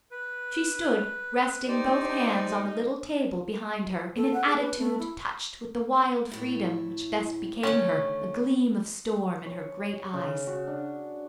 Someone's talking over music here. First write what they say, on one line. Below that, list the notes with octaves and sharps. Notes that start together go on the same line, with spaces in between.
She stood resting both hands on a little table behind her, in an attitude touched with the wild freedom which best became her, a gleam of storm in her great eyes.
B4
D#4 G4 C5 D5
A4
F#5
G#4
B4
A3
E4
A2 E4
D3 D#3 A3 C#4
C#5
C#3
F#4
D4